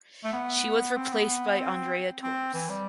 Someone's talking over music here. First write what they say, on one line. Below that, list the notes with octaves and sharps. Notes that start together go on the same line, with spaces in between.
She was replaced by Andrea Torres.
A3
B3
C4
B3
C4
C4
E3
G3